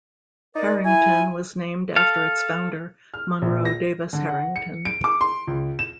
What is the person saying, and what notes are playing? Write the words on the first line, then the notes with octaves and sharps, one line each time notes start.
Herington was named after its founder, Monroe Davis Herington.
D#4 A#4 D5
E4 G#5
A4 F5
F6
A#1
A#6
D3
F#5
C#7
D7
D6
C6
C#2
E7